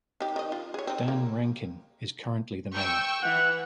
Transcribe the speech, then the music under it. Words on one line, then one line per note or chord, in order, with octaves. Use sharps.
Dan Rankin is currently the mayor.
D#4 G4
D#3 D#5
F4
G#4 C#5
C4 D#4
A#3
G5 C#6 E6
E3 F#5